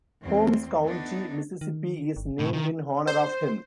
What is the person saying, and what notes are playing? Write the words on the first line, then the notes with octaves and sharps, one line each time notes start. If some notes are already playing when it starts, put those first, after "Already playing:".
Holmes County, Mississippi is named in honor of him.
E2 C4
A3 B3 D4 D#4
D#3
G1
A2 C3
D#3
C5